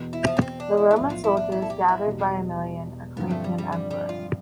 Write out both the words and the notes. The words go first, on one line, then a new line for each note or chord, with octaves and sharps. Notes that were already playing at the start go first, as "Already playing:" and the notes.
The Roman soldiers, gathered by Aemilian, acclaimed him Emperor.
Already playing: E2 B2 B3
E4
F3
B3
C4
D4
E4
E4
B1 A2 F3 B3 F4
F4
E4
D4
E4
A4
G4
E4
E1 E2 B2 G3
G2 D3 F3 B3 C4
A3
G3
G3
G3
G3
F4